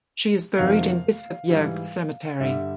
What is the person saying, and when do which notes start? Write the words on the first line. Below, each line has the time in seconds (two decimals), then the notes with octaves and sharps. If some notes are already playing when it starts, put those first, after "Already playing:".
She is buried in Bispebjerg Cemetery.
0.58 F2 C3 D#3 F#3 F5
1.49 G#2 E3 G3
2.40 G2 D3 G3 E5